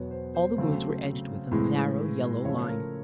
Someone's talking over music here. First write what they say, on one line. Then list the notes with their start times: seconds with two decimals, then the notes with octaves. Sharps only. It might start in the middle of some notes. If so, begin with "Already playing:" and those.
All the wounds were edged with a narrow yellow line.
Already playing: E2 B2 F#3 B3 C#5
0.11 C5
0.35 C5
0.58 C#3 F#3 A3 C4
1.51 A2 E3 G#3
2.45 C#3 F3 A3 C#5
2.69 A#4